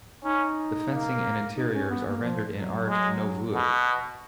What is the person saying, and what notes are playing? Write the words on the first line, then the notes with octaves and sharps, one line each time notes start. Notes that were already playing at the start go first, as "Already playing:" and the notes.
The fencing and interiors are rendered in Art Nouveau.
C#4 D#4
A#3
D#4
C#4
B3
A#3
F3
F#3
G#3
B2